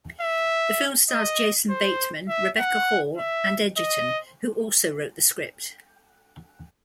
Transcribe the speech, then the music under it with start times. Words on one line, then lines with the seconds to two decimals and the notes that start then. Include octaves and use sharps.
The film stars Jason Bateman, Rebecca Hall and Edgerton, who also wrote the script.
0.21 E5
1.10 D#5
1.70 C5
2.29 E5
2.58 F#5
3.18 E5
3.78 D#5